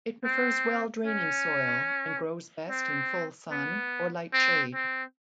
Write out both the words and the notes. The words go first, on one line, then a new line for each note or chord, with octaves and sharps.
It prefers well-draining soil, and grows best in full sun or light shade.
C4
C#4
C4
B3
C4
C4